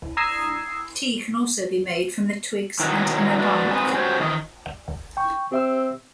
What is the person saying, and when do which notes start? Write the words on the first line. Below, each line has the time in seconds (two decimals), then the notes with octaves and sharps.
Tea can also be made from the twigs and inner bark.
0.17 A#5 D#6 E6 G#6 C7
2.80 D#3 E3 F#3 C#4 D#4
3.38 G#3 F#4 B4 D5
3.71 G#2 F#3 C4 B4 D#5 G#5
3.94 C#4 F#4 G4 C5 C#5
4.19 D#3 E3 D#5
5.17 G5 C#6
5.52 C4 G4 E5 E6